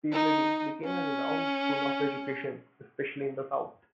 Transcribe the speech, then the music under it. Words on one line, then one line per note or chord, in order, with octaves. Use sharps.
Peabody became a renowned school of education, especially in the South.
D#4
C#4